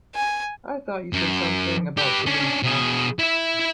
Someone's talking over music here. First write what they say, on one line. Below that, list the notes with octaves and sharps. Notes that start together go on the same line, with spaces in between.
I thought you said something about somebody's father.
G#5
F#2
G4 B4
C#4 D4
B2 G#4
E4 E5